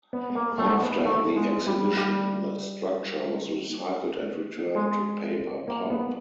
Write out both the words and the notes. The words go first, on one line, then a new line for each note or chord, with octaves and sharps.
After the exhibition the structure was recycled and returned to paper pulp.
B3
A#3
A3
B3
A3
G#3
G3
G3
G#3
A#3
B3